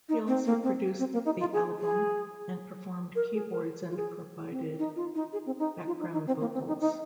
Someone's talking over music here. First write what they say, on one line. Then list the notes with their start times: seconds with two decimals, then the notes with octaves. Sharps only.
He also produced the album and performed keyboards and provided background vocals.
0.09 D#4
0.27 C4
0.45 A#3
0.63 C4
0.99 C4
1.13 A#3
1.26 D#4
1.40 F4
1.53 G#4
1.80 G#4
3.15 A#4
3.34 G#4
3.52 A#4
3.90 F4
3.97 G#4
4.51 C4
4.78 D#4
4.96 F4
5.15 D#4
5.33 G#4
5.46 C4
5.59 D#4
5.87 F4
6.00 D#4
6.13 D#4
6.27 C4
6.41 A#3
6.54 C4
6.68 D#4
6.81 D#4